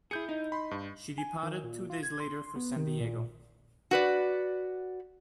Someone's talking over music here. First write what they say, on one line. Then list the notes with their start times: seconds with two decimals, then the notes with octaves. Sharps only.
She departed two days later for San Diego.
0.11 E4 G#4 G6 C#7
0.29 D#4
0.52 B5 C6
0.71 G2
1.18 G#5
1.43 D#3
1.63 A#2
1.90 F4
2.03 G#6
2.20 C6
2.56 B3
2.76 D#3
3.00 A#2
3.91 F#4 B4 D5